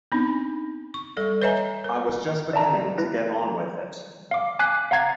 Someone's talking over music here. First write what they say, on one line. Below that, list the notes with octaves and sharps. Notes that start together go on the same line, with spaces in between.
I was just beginning to get on with it.
B3 C4 D4 D#4
C#6
G3 A4 D5
B4 C#5 D#5 E5 G#5 A#5
A#4
D5 E5 A5 A#5
E4 B4 A#6
F5 D6
G#5 D6 F#6 B6 C7
F5 F#5 A#5 G#6 A6 C7